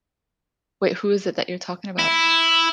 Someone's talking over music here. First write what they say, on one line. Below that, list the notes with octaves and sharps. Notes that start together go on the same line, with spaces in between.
Wait, who is it that you're talking about?
E4